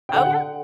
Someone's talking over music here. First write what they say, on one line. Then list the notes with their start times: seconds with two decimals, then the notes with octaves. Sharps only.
Oh, yeah.
0.09 G5
0.13 D3 F#5